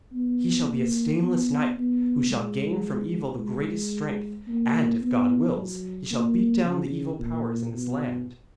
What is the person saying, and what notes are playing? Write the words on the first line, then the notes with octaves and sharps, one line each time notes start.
'He shall be a stainless knight, who shall gain from evil the greatest strength, and, if God wills, he shall beat down the evil powers in this land.'
B3
A#3
B3
B3
G#3
G#3
A#3
B3
F#3
A#3
C#3
A#2
B2